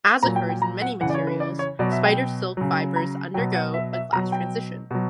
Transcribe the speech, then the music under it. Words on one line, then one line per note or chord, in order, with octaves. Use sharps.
As occurs in many materials, spider silk fibers undergo a glass transition.
A#2 F#3 A#5
G5
G5
A#5
F#5
C#3 E3 F#5
D5
C#5
B4
D5
C#5
B2 F#3 D5
E5
G5
C#3 F#3
A#5
B2 F#3 G5
F#5
E5
E5
B2 F#3 A#5
G5
B2 F#3